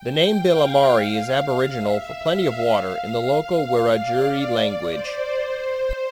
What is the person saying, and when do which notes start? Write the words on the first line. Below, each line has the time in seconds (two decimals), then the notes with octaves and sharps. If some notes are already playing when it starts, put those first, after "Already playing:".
The name "Billimari" is Aboriginal for "plenty of water" in the local Wiradjuri language.
Already playing: G5
0.36 F5
1.71 E5
2.16 F5
3.05 F5
3.95 D5
4.85 C5
5.30 C5